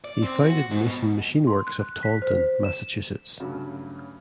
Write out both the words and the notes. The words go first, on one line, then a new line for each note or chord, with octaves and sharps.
He founded Mason Machine Works of Taunton, Massachusetts.
D5
C4
F#4
G#2
B2
C6
F#6
B6
C5
E7
G2 C#3 F#3 A3 C#4